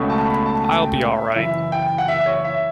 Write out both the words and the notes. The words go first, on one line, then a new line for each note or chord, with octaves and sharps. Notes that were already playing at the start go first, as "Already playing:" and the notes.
I'll be alright.
Already playing: C#2 B2 A3 C#4
A5
B5
A5
A5
G5
E5
E5
F#1 F#2 E3 E5
G5
F#5
E5
C#5
E5